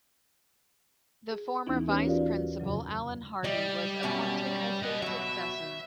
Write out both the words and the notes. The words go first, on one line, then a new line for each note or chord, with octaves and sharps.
The former Vice-Principal, Allan Hardy, was appointed as his successor.
G#4
D#2 E3 B3 C#4 D#4 E4
G4 B4 C#5
F4 F#4 A#4 D5 F5
F2 A2 C#3 F#3
G3 D5 D#5
F#2 B2 C#4
D#5 F#5
B2 F#3 E5